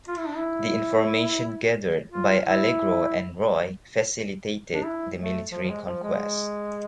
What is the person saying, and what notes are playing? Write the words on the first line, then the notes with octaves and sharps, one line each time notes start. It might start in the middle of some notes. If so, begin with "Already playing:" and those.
The information gathered by Allegro and Roy facilitated the military conquest.
F4
E4
D4
E4
F4
E4
D4
E4
A3
F3
F3
G#3
F3
G#3